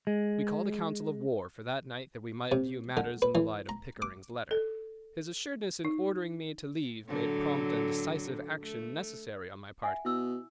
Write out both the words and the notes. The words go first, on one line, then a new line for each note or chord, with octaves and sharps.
We called a council of war for that night that we might view matters in the light of Pickering’s letter. His assuredness in ordering me to leave made prompt and decisive action necessary on my part.
G#3
C3
D3
B4
E3
A#5
D6
A4
D#4
A2 D3 F#3
A3
E5 F#5 G#5
B2 E4 E6